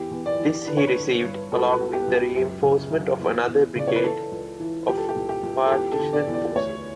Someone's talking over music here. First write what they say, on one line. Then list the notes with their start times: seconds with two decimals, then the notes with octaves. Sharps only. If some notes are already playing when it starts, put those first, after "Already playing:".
This he received, along with the reinforcement of another brigade of Partisan forces.
Already playing: E2 E3 G4
0.11 E2
0.26 D5
0.39 E3
0.67 D3 B4
0.77 C#5
0.87 B4
0.95 D3
1.23 G2
1.52 C#2 A4
1.73 B4
1.79 B2
1.93 G4
2.07 C#2
2.14 G4
2.36 F#2
2.63 C#3
2.91 F#2
3.19 E2
3.48 E2
3.75 C#3 D5
3.87 C#5
3.96 B4
4.04 E3 A4
4.32 C#2
4.60 E3
4.87 C#2 G4
4.97 A4
5.09 G4
5.16 C#2
5.29 G4
5.43 C#2
5.66 A4
5.71 E2 G4
5.92 A4
5.99 D3
6.13 D5
6.27 E2
6.34 D5
6.55 D2 C#5